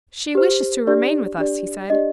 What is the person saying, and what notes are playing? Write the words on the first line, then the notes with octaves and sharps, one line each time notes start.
"She wishes to remain with us," he said.
G4 C5
D4 G4 D5
D4 G4 D5
D4 G4 D5 D#5